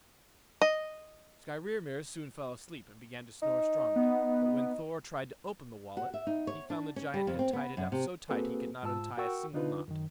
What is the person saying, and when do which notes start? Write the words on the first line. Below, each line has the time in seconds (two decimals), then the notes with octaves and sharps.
Skrymir soon fell asleep and began to snore strongly; but when Thor tried to open the wallet, he found the giant had tied it up so tight he could not untie a single knot.
0.62 D#5
3.43 D#4
3.96 B3
5.97 F#4
6.14 E5
6.27 D#4
6.47 C#5
6.70 D4
6.96 C#4
7.14 G3
7.27 F2
7.39 C4
7.53 B3
7.77 F#2
7.92 C3
8.29 A#3 C4 F#4 G#4 A4 B4
8.83 G#2 F4 A5 E6
9.18 F#4 A#4 F#5 G5 C#6 E6
9.54 D3 D4 D#4 F4 B4
9.88 F#2 D#3